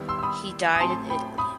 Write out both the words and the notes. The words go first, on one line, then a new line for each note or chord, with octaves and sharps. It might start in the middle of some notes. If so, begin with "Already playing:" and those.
He died in Italy.
Already playing: D#2 D#3 G3 B3 E4
C6 E6
E6
B5 D#6
D#6
A1 A2 F#3 C4 A5 C6
G5 B5
B5 D#6